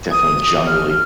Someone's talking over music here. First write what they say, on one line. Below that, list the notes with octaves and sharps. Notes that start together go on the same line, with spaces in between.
definitely jungly.
D#6
F6